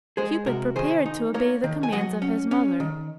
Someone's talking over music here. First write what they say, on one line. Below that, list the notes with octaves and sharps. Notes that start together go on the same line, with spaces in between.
Cupid prepared to obey the commands of his mother.
G#3 G#4 C5
C3 F#4 A#4
D#3 G#4 C5
D#4
A#3 A#4 C#5
D#3
G#5
F#3 D#5 F#5
C#4
C#4
D#3